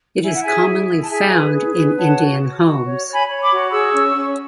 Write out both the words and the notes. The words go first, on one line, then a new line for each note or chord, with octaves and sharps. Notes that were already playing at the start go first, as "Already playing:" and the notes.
It is commonly found in Indian homes.
E4 G#5
F#5
G#4 E5 G#5
E4
E4
A5
G#4 E5 G#5
B4
G#4
B4
C#5 F#5 A5
F#4
F#4
F#4
C#5
C#5
G#5 B5
C#5
B5 D6
F#4
G#4 C#6 E6
C#4
C#4